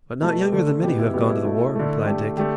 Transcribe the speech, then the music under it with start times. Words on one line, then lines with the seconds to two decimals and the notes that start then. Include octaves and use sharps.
"But not younger than many who have gone to the war," replied Dick.
0.22 B2 A3 A5
0.32 B4
0.43 G4
0.52 D3 A3 A4
0.68 A4
0.83 B2 B3 G4
0.99 E4
1.14 B2 G3 B3 G4
1.29 E4
1.45 B2 A3
1.75 D3 A3
2.06 D3 A3 G4
2.37 D3 A3 G4